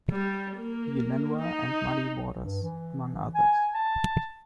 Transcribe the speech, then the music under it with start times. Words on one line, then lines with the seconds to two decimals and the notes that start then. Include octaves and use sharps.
B. Lenoir, and Muddy Waters, among others.
0.11 G3
0.57 A#3
1.42 D#4
2.43 G2
2.62 E3
3.35 G#5
3.75 A5